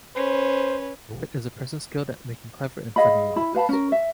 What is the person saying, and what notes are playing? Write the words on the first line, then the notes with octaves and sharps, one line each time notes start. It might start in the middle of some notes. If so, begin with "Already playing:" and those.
A wit is a person skilled at making clever and funny remarks.
C#4 B4 C5
G#4 D#5 F5 B5
E4 B5
B4 F5 A5 B5
C#4 A#4
E5